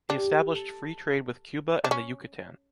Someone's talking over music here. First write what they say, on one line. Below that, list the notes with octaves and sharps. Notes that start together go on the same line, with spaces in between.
He established free trade with Cuba and the Yucatán.
D4 G4
A4
D4
C#4